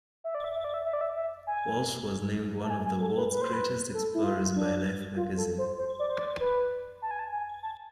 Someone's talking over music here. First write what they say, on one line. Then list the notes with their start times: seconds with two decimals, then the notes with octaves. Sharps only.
Walsh was named one of the world's great explorers by "Life" magazine.
0.24 E5
0.35 D5
0.44 E5
0.55 E5
0.64 D5
0.74 E5
0.85 E5
0.93 D5
1.01 E5
1.16 E5
1.47 G#5
2.64 A5
2.70 G#5
2.85 G#5
3.01 A4
3.17 B4
3.32 B4
3.42 C5
3.53 B4
3.94 A4
4.14 E4
4.24 F4
4.56 D4
5.16 F4
5.37 A4
5.58 C5
5.78 C5
5.99 D5
6.09 C5
6.19 D5
6.40 B4
7.02 A5
7.11 G#5
7.19 A5
7.32 G#5
7.63 A5